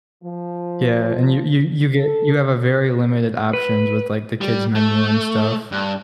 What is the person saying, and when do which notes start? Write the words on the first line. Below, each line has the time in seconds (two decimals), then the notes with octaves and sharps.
yeah, and you you you get you have a very limited options with like the kids' menu and stuff.
0.22 F3
1.95 A4
3.53 B4
4.41 G3
4.75 A3
5.72 G2